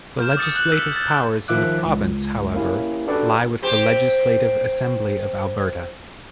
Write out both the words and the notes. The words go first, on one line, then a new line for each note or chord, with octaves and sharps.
The legislative powers in the province however, lie with the Legislative Assembly of Alberta.
F6 G6 E7
D6 D#6 A6 C#7
F#6 F#7
E6 B6 C#7
G6 A6
D#3 F3 F4 E5 D6 F#6
C#2
A#3 C#4 E4 G4
D4 F#4 G4 A4 B4 D5
C4 G4 C5